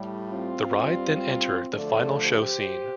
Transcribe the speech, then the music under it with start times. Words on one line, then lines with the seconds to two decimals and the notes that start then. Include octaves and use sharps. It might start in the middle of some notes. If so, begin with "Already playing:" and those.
The ride then enter the final show scene.
Already playing: A2 G3
0.30 C4 F4
0.77 G2 G3
1.74 D2 D3 F3 A3 A4 D5
2.21 G4 C5